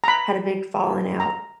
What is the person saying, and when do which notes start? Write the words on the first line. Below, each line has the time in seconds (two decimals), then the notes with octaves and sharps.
had a big falling out.
0.04 A#5
0.08 B5
1.20 A#5